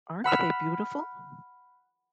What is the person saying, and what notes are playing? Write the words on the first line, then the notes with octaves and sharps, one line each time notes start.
Aren't they beautiful?
F#5 B5 E6 F6